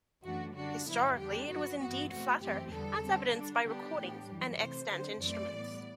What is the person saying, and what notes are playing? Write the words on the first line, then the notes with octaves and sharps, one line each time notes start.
Historically it was indeed flatter, as evidenced by recordings, and extant instruments.
F#2 E3 A3 D4 F#4
D3 G3 D4 F#4
G2 D3 F#3 B3 E4
E2 D3 G3 D4 G4
G2 F#3 B3 F#4
G2 E3 B3 F#4
E2 B2 A3 C4 F#4
F#2 E3 A3 C4 G4
E2 D3 G3 B3 A4
D3 G3 C4
D3 G3 D4
D3 G3 B3 D4 G4
A2 E3 B3 D4
F#2 E3 G3
C3 E3 A3 C5
D3 F#3 C4 C5
F#2 E3 A3 C4 D5
A2 G3 B3